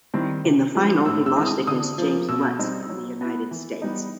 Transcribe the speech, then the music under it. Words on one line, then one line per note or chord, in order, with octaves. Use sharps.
In the final he lost against James Lutz of the United States.
D#3 G3 C4 E4
C3
F3 G#3
A2 E6
E6
E3 G#3 C4 E4
D#6
D3 D#6
F3 A#3
B2 E6
G3 C4 D#4
F#3
B3 E4
E3
G3 B3 D#4